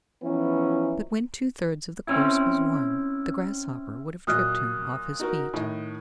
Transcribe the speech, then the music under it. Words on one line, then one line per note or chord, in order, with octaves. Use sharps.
But when two thirds of the course was won, the grasshopper would have tripped him off his feet.
E3 F3 B3 C#4 D#4 E4
C4 C#4 E4
A#2 F#3 D#5 D#6 F6 F#6
D#4 F#4 A#4
A2 D#3 D#5